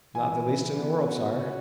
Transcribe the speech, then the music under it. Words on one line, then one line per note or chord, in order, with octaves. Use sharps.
"Not the least in the world, sire."
E3 G#5
E3
B3
F#4
C#4